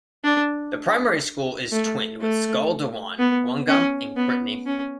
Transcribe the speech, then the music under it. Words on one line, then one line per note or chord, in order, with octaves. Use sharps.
The primary school is twinned with Skol Diwan, Guingamp in Brittany.
D4
A3
A3
B3
C#4
B3
C#4